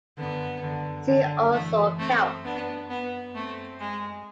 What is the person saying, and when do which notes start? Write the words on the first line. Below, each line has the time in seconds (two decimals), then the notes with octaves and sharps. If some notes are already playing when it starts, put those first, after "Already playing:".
See also celt.
0.17 D3 B3
0.63 D3
1.08 D3
1.53 E3 A3
1.99 A3 C4
2.44 B3 D4
2.89 B3
3.35 A3 C4
3.80 G#3